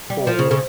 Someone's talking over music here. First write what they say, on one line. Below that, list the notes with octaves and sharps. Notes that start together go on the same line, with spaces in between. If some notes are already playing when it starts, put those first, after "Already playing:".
for what
G3
F3
C#3
C#3